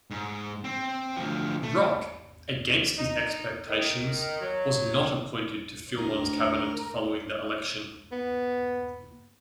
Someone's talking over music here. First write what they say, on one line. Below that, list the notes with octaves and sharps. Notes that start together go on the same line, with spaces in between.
Roch, against his expectations, was not appointed to Filmon's cabinet following the election.
G#2
C4
D2 F3
A3
D#4
D#3
F#3
D2 D#3 A#4
B3